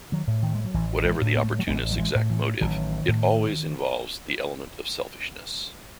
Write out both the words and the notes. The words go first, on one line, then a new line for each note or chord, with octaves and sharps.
Whatever the opportunist's exact motive, it always involves the element of selfishness.
D#3 F#3
A2
D#3
G#3
F#3
A1 E3
E3 G#3
A2
B3
A3
G#3
F#3 A3
A1 G#3 B3
F#3
E3 G#3
A2
E3
A1 D#3 F#3
A2